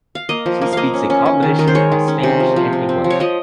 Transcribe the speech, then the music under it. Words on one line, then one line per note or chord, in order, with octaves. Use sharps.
She speaks a combination of Spanish and English.
F5
A#3 D#5
F3
A#3
A#3 D#5 F5
C#4
C#4
C#4
D#3
D#3 A#4
C5
G#3 C#5
D#3
C#4
C3
F3
F3
C4
C4
F3
C#5
F3 D#5